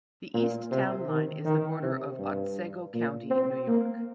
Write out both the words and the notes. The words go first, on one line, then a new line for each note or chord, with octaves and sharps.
The east town line is the border of Otsego County, New York.
A#2
C3
D#3
D#3
C3
G2
A#2
C4
A#3